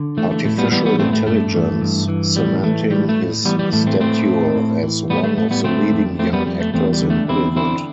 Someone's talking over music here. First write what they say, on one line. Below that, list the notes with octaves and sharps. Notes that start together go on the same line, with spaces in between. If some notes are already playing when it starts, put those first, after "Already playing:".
Artificial Intelligence, cementing his stature as one of the leading young actors in Hollywood.
Already playing: D3
E3 A3
A3
A2 A3
G3 B3
E3 G3 B3
G3 B3
A2 A3 C4
A3
G2 A3
E3
G2
E3
A2 G3
E3 A3
A2 G3
A3
A2
E3 G3 B3
G3
A2 A3
A3 C4
A2 A3 C4
A2
A2
E3
A2 G3 B3
A3
A2 A3
G3 B3
D3 A3 C4
F2
F2 A3 C4
G3 B3
F2 G3
A3
E2 A3 C4
G3
D3
A3
E2 C4 E4
D3 C4 E4